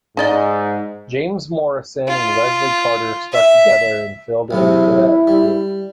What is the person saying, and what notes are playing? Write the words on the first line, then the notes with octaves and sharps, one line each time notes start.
James Morrison and Leslie Carter stuck together and filled in for that gig.
G#2 D#4 D5 D#5
F4
E5
B1 E2 C3 E4
G3